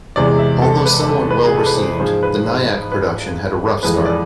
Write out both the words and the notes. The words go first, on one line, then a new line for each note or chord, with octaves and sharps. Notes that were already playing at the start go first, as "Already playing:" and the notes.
Although somewhat well received, the Nyack production had a rough start.
E2 C3 G#3 D5
E5
A4
B4
A4
B4
G#4
A4
B4
C5
G#2 F3 G#3 C5
B4
C5
B4
F2 E3 G#3 B4
D5